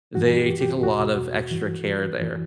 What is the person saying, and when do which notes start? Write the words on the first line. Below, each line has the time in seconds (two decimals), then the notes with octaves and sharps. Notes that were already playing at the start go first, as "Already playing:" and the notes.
they take a lot of extra care there,
0.15 G2 E3 F#4
0.38 G4
0.60 G4
0.83 E2 B2 F#4
1.51 G2 E3
2.20 F#2 E3